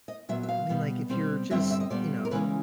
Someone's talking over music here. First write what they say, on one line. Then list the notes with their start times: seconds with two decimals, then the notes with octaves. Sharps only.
I mean, like, if you're just, you know,
0.08 D#5
0.29 A#2 F#3 B3 E5
0.43 E5
0.49 F5
0.69 B2 G3 B3
1.10 B2 G3 C4
1.50 G2 D3 G3 C4 E5
1.71 E5
1.80 D#5
1.90 A#2 G3 B3 D5
2.25 A#4
2.31 C#3 E3 G#3 C#4 B4